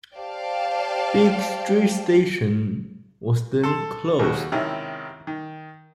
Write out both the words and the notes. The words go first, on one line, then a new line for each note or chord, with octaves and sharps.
Bridge Street station was then closed.
G4 C5 D5 F5 G5 A5
A4 A5 C6
D#2 C#3 F#4
G#1 C3 D#3 C#4 E4
D#3